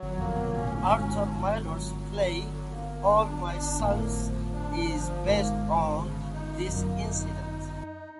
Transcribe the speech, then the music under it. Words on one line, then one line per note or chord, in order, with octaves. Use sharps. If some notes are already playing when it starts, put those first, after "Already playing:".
Arthur Miller's play "All My Sons" is based on this incident.
Already playing: F#3
F2 A#3
B2
A#2 C#4
G#2
A2
G#2 F#3
F#3
F#3
F#3
D3
A#3
D4
D4
A2 A#3
F3
D4
F3
G#2 A#3
F3
C#3
D#4
F#2 A#3
D#4
D#4
D#4